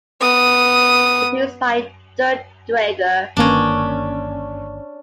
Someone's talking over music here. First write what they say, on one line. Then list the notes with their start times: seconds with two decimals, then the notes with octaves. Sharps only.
Produced by Dirk Draeger.
0.21 B3 D#6
3.37 G1 D#3 A#3 C#4 D4